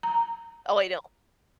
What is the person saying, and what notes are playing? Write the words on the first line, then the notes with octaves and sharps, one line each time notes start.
Oh, I know.
A#5